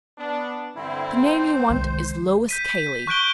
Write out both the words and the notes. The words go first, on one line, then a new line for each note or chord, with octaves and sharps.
'The name you want is--Lois Cayley!'
B3 D4
G2 D3 E3 C4 E4
C5
C2 D#3 G#3
G6 B6 D#7
C#6 F#6 G6 D7 G7